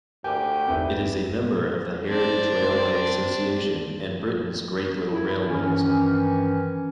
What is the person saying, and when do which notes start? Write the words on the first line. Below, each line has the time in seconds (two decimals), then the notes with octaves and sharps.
It is a member of the Heritage Railway Association and Britains Great Little Railways.
0.24 D2 G4 A#4 G5 G#5 D6
0.68 G1 E2 C4 D#4 E4 B4
2.08 C4 D4
5.12 E4
5.45 G2 D#3 E3 C#4